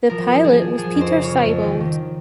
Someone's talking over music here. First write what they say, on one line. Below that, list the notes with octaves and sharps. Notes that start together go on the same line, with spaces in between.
The pilot was Peter Siebold.
F3 A#4
F3
F3 G#4
F3
F3 G#4
F2
C5
C#3
C#5
C#3
F2
D#3
D#3